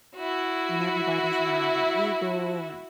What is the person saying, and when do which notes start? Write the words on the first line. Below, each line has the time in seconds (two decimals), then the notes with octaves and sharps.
and everybody's not illegal, and
0.16 E4 F#4